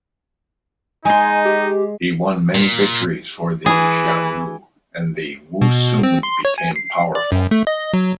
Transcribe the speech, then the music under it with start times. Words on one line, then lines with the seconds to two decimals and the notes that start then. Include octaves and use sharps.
He won many victories for the Xiongnu and the Wusun became powerful.
1.05 G#3 D#4 G#5 C6
1.45 G4
2.55 A#2
3.66 E3 G#4
5.62 B2
6.03 C4
6.23 C6
6.45 C#5
6.58 G#5
6.76 C7
7.15 D5
7.32 F#2
7.51 A3
7.67 D#5
7.93 F#3